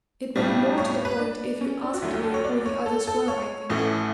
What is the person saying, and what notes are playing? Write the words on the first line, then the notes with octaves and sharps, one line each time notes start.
"It would be more to the point if you asked me who the others were, I think."
B1 A2 G3
C#5
C#5
B4
D4
C#4
D4
F#4
D2 D3 F#3 A3 E4
G4
A4
C#5
D5
C#5
A4
A4
C#5
A1 A2 E3 A3